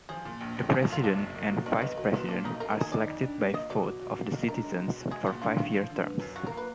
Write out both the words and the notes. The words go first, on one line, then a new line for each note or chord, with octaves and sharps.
The president and vice-president are selected by vote of the citizens for five-year terms.
F3 G#4
A#2
A#1
A#1
F3 G#4
F#4
F#2 F4
F#1 D4
F#1
A#3
B2
B1 D4
B1 B3
F#3 A#3
A#2 B3
A#3 D4
B1 D#4
A#3 A#4
A#4
D#3 G#4
D#4 D5
F2
D4
A#3
F4 D#5
B2 D5
F#3
B2
A#3
B1
D4 A#4
G#3
B2
B2
G#3 G#4
A#2 F#4
D4 F4
A#1 F4
F3
D3
B3
F#2
F4 F#4
A#4
A#3
B4